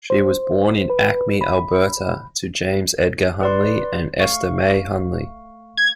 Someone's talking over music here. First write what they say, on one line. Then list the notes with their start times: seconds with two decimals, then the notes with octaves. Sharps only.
She was born in Acme, Alberta, to James Edgar Hunley and Esta May Hunley.
0.10 C5
0.90 B4
1.41 B5
3.41 B4 D5 C6
4.20 A3 F5 C#6
5.77 G#6